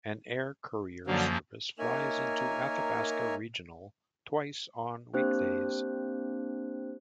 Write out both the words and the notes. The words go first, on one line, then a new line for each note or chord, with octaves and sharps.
An air courier service flies into Athabasca Regional twice on weekdays.
F#2 D3 F3 F#3 A#3
A#3 D#4 A#4 C#5 E5 G#5
A#3 C4 D4 G4 C5 F#6